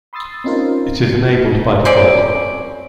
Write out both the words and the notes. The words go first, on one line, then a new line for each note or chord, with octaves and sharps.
It is enabled by default.
B5 C6 D#6 E6 A6 C7
C4 C#4 D#4 F4 A#4 C5
C4 C#4 D5